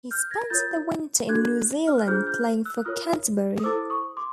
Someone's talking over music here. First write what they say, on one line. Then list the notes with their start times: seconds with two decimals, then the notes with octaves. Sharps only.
He spent the winter in New Zealand playing for Canterbury.
0.11 F6 G6
0.31 G#6 A#6
0.50 F4 A#4 C#5 G6 A6
1.29 D4 F#4 A4 F#6 G#6
1.87 F6
1.98 F#6
2.07 D4 F4 G#4 C5 F6 G6
2.27 F6 G6
2.65 E6 F#6
2.78 F#6
2.85 F4 A#4 C#5 D#6 F6
3.59 D#6
3.63 E4 A4 C5 D6 E6
3.90 C#6 D#6
4.17 C6 D6